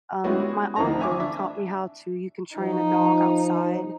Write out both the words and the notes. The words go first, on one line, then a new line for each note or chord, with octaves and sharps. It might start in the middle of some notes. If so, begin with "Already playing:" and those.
um, my uncle taught me how to, you can train a dog outside,
G3 G#3 B3 C#4 E4 F#4
D2 E3 F3 C4 D#4 A#5
E5 G#5 C#6 D6
D4 E5
F3 D#4